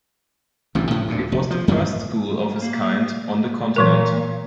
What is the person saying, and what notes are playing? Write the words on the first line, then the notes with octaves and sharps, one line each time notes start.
It was the first school of its kind on the continent.
A1 G2 C3
A2 C#3 F3
D2 A#2
F1
F3
F#2 A2 D#3 F3
A#3 F5
A#2 E3 F#3 A#4